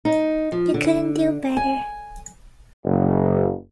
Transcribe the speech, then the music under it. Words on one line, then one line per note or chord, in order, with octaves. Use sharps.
You couldn't do better.
D#4
F3
D3
G#5
F#1